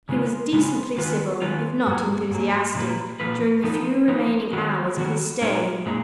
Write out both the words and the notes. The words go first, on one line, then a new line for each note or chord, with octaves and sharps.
He was decently civil, if not enthusiastic, during the few remaining hours of his stay.
C#3 G#3 B3 F4
C#3 G#3 B3 F4
D#3 G#3 B3 F4
D#3 G#3 B3 F4
G#2 F#3 A#3
G#2 F#3 A#3
A#2 F3 A#3 F4 B4
A#2 F3 A#3 F4 B4
F3 B3 D#4
F3 B3 D#4
D#3 F#3 B3 F#4 A#4
D#3 F#3 B3 F#4 A#4
A#2 G#3 D#4 A#4 C#5
A#2 G#3 D#4